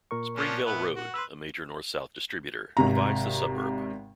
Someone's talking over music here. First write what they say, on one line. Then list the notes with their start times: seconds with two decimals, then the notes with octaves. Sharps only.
Springvale Road, a major north-south distributor, divides the suburb.
0.11 A#2 A#4 C#6
0.37 F3 C#4 D4
0.65 B3 E4 B4
0.96 F#4
1.14 B4 C6 E6
2.77 G#1 C3 A#5